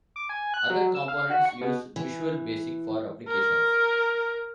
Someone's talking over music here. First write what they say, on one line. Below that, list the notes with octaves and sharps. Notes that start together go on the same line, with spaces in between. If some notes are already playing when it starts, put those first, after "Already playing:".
Other components use Visual Basic for Applications.
D6
G#5
F#6
F#3
E6
F5
F#4
C#6
B2
E3
A#4